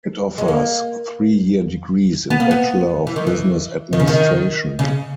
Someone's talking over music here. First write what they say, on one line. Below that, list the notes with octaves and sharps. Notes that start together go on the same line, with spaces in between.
It offers three year degrees in Bachelor of Business Administration.
G#3
A#3
B3
A#3
B3
E3
D#3
E3
D#3
C#3
D#3
C#3